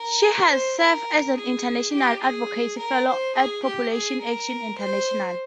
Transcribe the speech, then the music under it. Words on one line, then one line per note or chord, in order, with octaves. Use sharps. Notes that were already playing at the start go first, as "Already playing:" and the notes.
She has served as an international advocacy fellow at Population Action International.
Already playing: A#4
C5
A#4
G#4
G4
G#4
A#4
C5
G#4
G4
G#4
A#4
C5